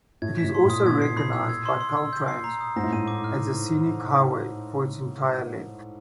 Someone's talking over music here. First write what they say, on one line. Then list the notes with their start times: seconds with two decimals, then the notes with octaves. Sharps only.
It is also recognized by Caltrans as a scenic highway for its entire length.
0.22 A2 G#6
0.38 B6
0.44 A2
0.55 C6
0.65 A#2
0.70 D#6
0.85 B2 G#6
1.02 C7
1.17 B5
1.33 E6
1.49 G#6
1.66 C6
1.81 C6
1.97 E6
2.13 G6
2.28 C7
2.44 A#5
2.61 D#6
2.76 G#2 A#6
2.84 A2
2.93 G#2 D#7
3.08 D6
3.24 F6